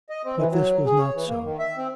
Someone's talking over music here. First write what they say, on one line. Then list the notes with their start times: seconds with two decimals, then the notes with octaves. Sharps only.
But this was not so.
0.09 D#5
0.25 C4
0.37 E3
0.51 F#3
0.86 G#4
0.98 C#5
1.14 E3
1.28 A#3
1.44 D#3
1.59 E5
1.77 C4